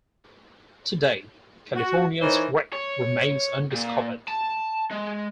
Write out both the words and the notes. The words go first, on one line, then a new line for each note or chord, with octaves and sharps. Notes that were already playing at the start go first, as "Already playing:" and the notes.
To date, "Californian"s wreck remains undiscovered.
F#4
E3 D#4 A#4 C5 C#5
C#5
A#2
A5
G#3